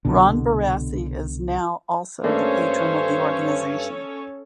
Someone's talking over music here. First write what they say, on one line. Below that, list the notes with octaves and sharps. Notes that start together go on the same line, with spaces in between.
Ron Barassi is now also the patron of the organisation.
C2 B2 D3
G2 A3 A#3 C#4 D4 A4 C5 C#5